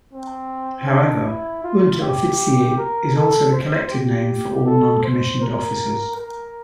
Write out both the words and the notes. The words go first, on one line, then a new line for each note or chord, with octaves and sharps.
However, "Unteroffizier" is also the collective name for all non-commissioned officers.
C4
D4
E4
F4
G4
A#4
A4
C5
G4
A4
C5
A#4
A#4